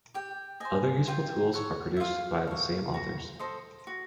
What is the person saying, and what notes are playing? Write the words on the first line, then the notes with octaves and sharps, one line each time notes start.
Other useful tools are produced by the same authors.
G4 G5
C5 D#5 G#5
F4 G5
A4 C#5 F#5
E5
F4 F5
A4 C#5
F#4
A4 C5 D#5
F#4